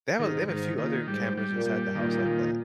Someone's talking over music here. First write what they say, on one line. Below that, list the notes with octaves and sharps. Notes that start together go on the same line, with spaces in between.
They have a they have a few other cameras inside the house like that,
G#2 D#3
G#2 D#3
A#2 D#3
G#2 G3
G3
A#2
G3
A#2 D#3
D#3